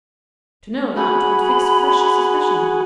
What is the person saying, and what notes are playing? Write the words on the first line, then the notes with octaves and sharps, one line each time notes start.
To know that would fix fresh suspicion.
F#4 G#4 B5